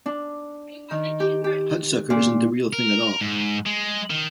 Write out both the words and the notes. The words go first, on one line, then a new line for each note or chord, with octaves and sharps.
"Hudsucker" isn't the real thing at all.
D4
D#3
G4
G4
A#2
A#4
G#2
G#3
D#3